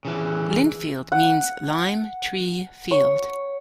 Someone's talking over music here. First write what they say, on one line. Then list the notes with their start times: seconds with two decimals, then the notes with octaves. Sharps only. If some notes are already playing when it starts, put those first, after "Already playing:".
Lindfield means "lime tree field".
0.05 C#3 E3
1.12 F#5
2.91 C#5